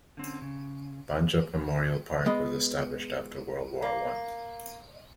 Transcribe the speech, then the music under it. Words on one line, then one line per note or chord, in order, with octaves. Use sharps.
Banjup Memorial Park was established after World War One.
D3 C4 C#4
C#3
G#3 B3 D#5
A#3